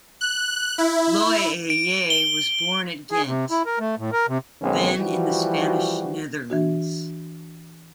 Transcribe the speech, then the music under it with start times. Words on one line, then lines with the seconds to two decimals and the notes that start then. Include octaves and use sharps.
Loeillet was born at Ghent, then in the Spanish Netherlands.
0.21 F#6
0.78 E4
1.70 D7
2.10 G7
3.11 G#4
3.26 C3
3.51 E4
3.66 A#4
3.79 A3
3.98 A2
4.12 A#4
4.28 C3
4.61 B1 D#3 G#3 C4 C#4
4.99 E3 F3 G3 F#4
6.50 E3 D4 F#4